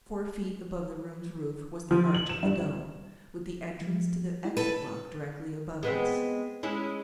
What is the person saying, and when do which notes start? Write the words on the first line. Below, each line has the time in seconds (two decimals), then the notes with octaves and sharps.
Four feet above the room's roof was the arch of the dome, with the entrance to the exit-lock directly above us.
1.91 F3
2.14 F#7
2.29 E7
2.43 G2
3.81 F3
4.45 E4
4.57 A4 B4
5.83 G#3 B3 C4
6.63 G#3 C#4 E4